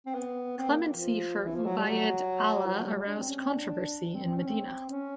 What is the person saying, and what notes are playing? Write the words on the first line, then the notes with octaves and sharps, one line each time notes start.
Clemency for Ubayd Allah aroused controversy in Medina.
C4
B3
C4
A#3
F3
E3
F3
F#3
G3
F#3
F3
F#3
G3
G#3
D4
C4
C#4
C4
D4
C4
C4
C#4
C4
C#4